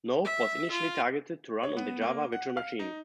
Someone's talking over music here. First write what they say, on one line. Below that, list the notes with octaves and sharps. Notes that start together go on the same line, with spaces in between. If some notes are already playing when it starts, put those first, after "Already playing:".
Noop was initially targeted to run on the Java Virtual Machine.
E5
F4
C#5
B3
A#3
F#5
F5
D#4